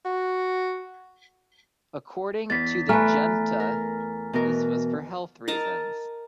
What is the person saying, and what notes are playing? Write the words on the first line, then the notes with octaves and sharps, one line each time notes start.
According to the junta this was for health reasons.
F#4
E2 A6 B6
A3 B4 G#5 A#5 F6
A#4
B2 E3 A#4
A#4 D#5 A5 A#5